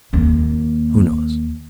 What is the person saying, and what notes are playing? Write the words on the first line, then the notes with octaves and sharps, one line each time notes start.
Who knows?
D#2 A#3